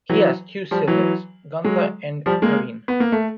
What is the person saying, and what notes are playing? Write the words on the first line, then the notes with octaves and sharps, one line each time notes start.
He has two siblings, Gunther and Karine.
E3 F#3
F3 G3
E3 F#3
F#3 G#3
F3 G3
G#3 A#3
B3
A#3
A3